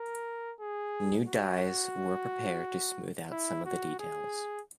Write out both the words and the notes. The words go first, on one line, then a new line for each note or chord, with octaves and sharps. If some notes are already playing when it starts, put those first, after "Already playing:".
New dyes were prepared to smooth out some of the details.
Already playing: A#4
G#4
F#4
E4
F#4
G#4